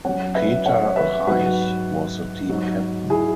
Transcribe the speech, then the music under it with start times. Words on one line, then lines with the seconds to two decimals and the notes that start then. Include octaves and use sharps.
Peter Reich was the team captain.
0.05 F#2 F#3 C#5 F#5
0.35 B4 E5
0.66 C#5 F#5
0.85 C#5
0.96 B4 E5
1.27 G#2 F#3 F#4 B4
2.49 G#2 F#3
3.10 E4 G#4